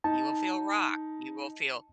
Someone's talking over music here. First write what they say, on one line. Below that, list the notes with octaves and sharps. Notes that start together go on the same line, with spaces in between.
You will feel rock, you will feel
D#4 A5